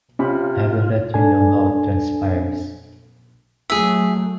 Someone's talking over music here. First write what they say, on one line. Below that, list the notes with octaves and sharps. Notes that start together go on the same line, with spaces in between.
I will let you know how it transpires.
C3 C#4 F4 B5
D4 A4 G#5
F#3 A3 G#4 E5